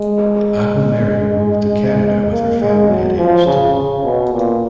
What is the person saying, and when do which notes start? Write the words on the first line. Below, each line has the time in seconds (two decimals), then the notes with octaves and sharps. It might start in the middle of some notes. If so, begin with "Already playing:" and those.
Augimeri moved to Canada with her family at age two.
Already playing: G#3
2.31 A#3
2.61 G#3
2.89 F#3
3.18 F3
3.46 C#3
3.75 C#3
4.04 B2
4.33 A#2